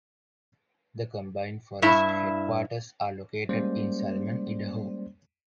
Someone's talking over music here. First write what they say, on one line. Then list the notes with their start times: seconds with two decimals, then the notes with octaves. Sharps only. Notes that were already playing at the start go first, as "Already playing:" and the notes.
The combined forest headquarters are located in Salmon, Idaho.
1.82 G2 E4 E5
3.49 G3 G#3 A#3 C#4 C5 D5